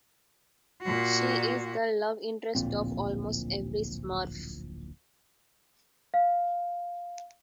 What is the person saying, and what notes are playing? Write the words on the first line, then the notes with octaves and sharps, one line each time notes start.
She is the love interest of almost every Smurf.
A#2 F#4
D1 A#1 A#2 C4
F5